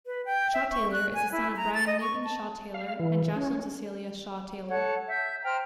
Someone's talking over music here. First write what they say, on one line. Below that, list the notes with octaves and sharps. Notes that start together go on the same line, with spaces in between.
Shawe-Taylor is the son of Brian Newton Shawe-Taylor and Jocelyn Cecilia Shawe-Taylor.
B4
G5
E5
C#6
F#6
G#5
E4
A#5
A6
D#5
C#6
A5
F5
E3
C#4
A4 C#5 F#5
E5 G6
C5 G5 A#5 F6